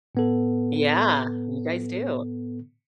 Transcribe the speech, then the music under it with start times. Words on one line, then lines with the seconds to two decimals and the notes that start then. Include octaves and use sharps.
Yeah, you guys do.
0.15 A2 B3 A4